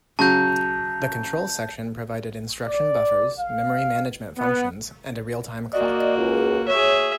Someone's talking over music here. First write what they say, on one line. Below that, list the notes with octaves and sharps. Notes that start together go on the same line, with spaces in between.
The control section provided instruction buffers, memory management functions, and a real-time clock.
C#3 F#3 A5 G6
D5
F5
B3
A#3 F#4 D5 D#5
C#2
G#4 C#5 E5